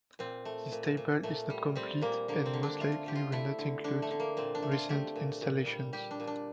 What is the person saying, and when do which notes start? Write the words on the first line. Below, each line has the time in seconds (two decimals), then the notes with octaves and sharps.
This table is not complete and most likely will not include recent installations.
0.19 A#2 C4
0.45 A3
0.72 A#2
0.97 A#2
1.23 A#2 A3
1.50 G3
1.75 G3 C4
2.02 A#2 A#3
2.28 D3 A#3
2.46 C4
2.54 D3
2.63 D4
2.80 A3 F4
3.06 D3 G4
3.15 F4
3.32 A3 E4
3.59 D3
3.84 D3 D4
4.02 A3
4.11 D3
4.20 A#3
4.37 A#2 C4
4.55 D4
4.62 A3
4.72 F4
4.89 A3 G4
5.16 A#2
5.41 A#2
5.67 G3
5.93 G3 G4
6.11 D4
6.20 A#2
6.27 D4